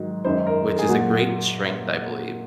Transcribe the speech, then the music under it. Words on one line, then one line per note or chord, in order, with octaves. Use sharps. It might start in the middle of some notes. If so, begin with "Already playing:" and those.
which is a great strength, I believe,
Already playing: G#2 D#3 F#3
F#2 D#3 G#3 C5
A#4
G#4
A#2 F#3 F#4